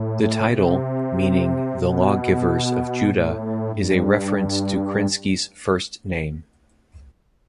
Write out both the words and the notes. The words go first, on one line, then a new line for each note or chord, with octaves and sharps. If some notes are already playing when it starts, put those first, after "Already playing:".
The title, meaning "The Lawgivers of Judah", is a reference to Krinsky's first name.
Already playing: A2
C3
B2
A2
G2